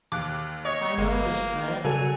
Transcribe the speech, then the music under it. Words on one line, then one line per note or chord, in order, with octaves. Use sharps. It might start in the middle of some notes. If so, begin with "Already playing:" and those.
I know this prayer.
D#2 D6 F#6
C#5 D#5
G1 G#3 A#3
C#3 F#3 G3 A4 G#5